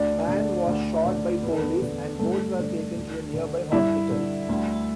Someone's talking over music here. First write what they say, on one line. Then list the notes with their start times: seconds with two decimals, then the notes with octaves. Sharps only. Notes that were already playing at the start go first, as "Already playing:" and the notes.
Mann was shot by police and both were taken to a nearby hospital.
Already playing: D2 D4 D5
0.28 D3
0.67 D2
1.06 D3
1.43 E2 B4
1.52 A4
1.62 B3 B4
1.82 D3
2.19 G2 A3 A4
2.58 D3
2.96 D2
3.34 D3
3.72 G2 E4 E5
4.11 D3
4.49 D2